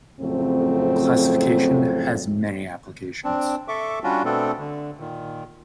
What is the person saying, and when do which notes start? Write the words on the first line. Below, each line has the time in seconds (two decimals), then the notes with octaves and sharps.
Classification has many applications.
0.20 F2 A2 C#3 F#3 A3 C4
3.24 C4 D4
3.68 A4 E5 C#6 D6
4.04 G3 C#4 D4 F4 F#4
4.25 B2 A3 B3 C4 D4 A4
4.59 D3
5.00 A#2 D#3